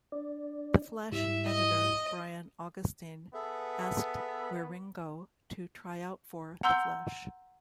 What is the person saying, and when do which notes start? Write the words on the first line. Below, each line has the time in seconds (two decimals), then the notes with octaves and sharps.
"The Flash" editor Brian Augustyn asked Wieringo to try out for "The Flash".
0.12 D4 D5
1.12 G#2 G3 E4 E5
1.45 D#5
3.34 B3 G#4 A4 E5
6.63 F#5 A#5 C6 E6 G6 G7